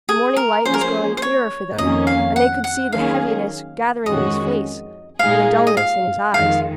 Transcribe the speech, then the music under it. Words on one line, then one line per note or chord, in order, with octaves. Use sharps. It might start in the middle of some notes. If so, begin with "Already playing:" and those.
The morning light was growing clearer for them, and they could see the heaviness gathering in his face, and the dulness in his eyes.
G#4
A#4
F3 A#3 C#4 G#4 C5
A#4
C5
C5
C#5
F2 D#3 A#3 C#4 D#5
F5
F#5
F#5
D#3 F#3 A#3 C#4 G#4 F5
F2 D#3 G#3 C#4 F#4 D#5
A#2 G#3 D#4 G#4 F5
D#5
F5
F2 D#3 G#3 F5